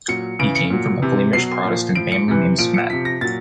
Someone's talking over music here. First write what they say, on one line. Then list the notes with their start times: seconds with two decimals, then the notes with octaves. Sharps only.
He came from a Flemish Protestant family named Smet.
0.08 A#2 F#3 C#7
0.39 C#3 E3 D7
0.55 C#7
0.70 A#2 F#3
1.02 C3 E3
1.33 B2 F#3 C7
1.65 A#2 F3
1.95 A2 F3 D7
2.12 C#7
2.28 C3 E3
2.58 A#2 F3 D7
2.74 C#7
2.90 C3 F3 B6
3.05 A#6
3.21 A#2 F#3 A6